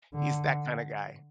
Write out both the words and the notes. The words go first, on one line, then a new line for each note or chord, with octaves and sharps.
he's that kinda guy.
D3